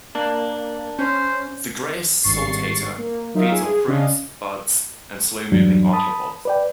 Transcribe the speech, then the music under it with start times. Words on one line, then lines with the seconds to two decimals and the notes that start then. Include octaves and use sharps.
The greyish saltator feeds on fruits, buds and slow-moving arthropods.
0.15 A#3 D4
0.99 C#4 C5
2.23 G#1 G2 C#6 A6 C7
2.98 A#3
3.34 F#3 D#4 F4 A#4 E5 F5
3.51 G#4
3.88 C#3 C#4 D4 D#5 F5
5.52 E2 G2 F#3 D4
5.93 A5 B5 D#6
6.45 B4 D5 G5